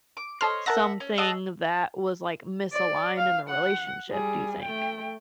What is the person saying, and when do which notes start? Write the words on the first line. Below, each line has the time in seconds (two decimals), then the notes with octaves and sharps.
something that was, like, misaligned in the relationship do you think?
0.17 D6
0.41 A4 C5 C#5 D#5 F6
0.66 A#4 E5 F#5 A5 A#6
1.00 C#4
1.18 F#4 G#4 D#5 A5 E6
2.73 D5
3.18 F5
3.49 F#5
4.10 G3 G#4
4.63 A3 G5